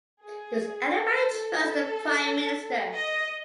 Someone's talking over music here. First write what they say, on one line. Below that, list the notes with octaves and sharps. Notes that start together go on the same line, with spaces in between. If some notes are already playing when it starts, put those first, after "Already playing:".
Does anybody trust the Prime Minister?
G#4
A4
A4
D#5